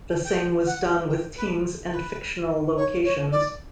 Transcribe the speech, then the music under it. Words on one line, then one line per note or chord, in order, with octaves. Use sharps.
The same was done with teams and fictional locations.
G5
F#5
G5
B4
B4
C#5
C#5
D5